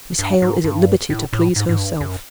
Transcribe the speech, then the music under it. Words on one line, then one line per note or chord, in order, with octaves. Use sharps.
Miss Hale is at liberty to please herself.'
G2
G#2
G2
A2
A2
G#2
G#2
G2
F#2